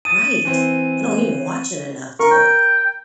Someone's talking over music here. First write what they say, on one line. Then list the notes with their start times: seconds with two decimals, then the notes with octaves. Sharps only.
Right. I don't even watch it enough to
0.05 D#6 A6 D#7
0.45 E3 C4
2.19 A#4 C#6
2.32 G5